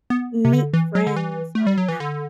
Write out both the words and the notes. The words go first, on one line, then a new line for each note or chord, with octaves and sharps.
meet friends on an app,
B3
C3
D3
E3
F#3
D3
E3
A3
G3
F#3
E3
D3